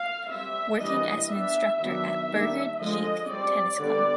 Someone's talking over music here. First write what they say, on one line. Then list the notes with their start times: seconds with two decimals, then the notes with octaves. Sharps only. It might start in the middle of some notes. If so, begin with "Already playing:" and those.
Working as an instructor at Burger Dijk Tennis Club.
Already playing: F5
0.30 G3 C4 E5
0.80 E3 G3 A#3 D4 D#5
1.30 G3 B3 D4 E5
1.80 D#3 F#3 B3 D4 E5
2.30 D#3 G3 A#3 D4
2.80 D3 F3 G#3 D#5
3.29 G3 C4 D5
3.79 D3 G3 B3 D5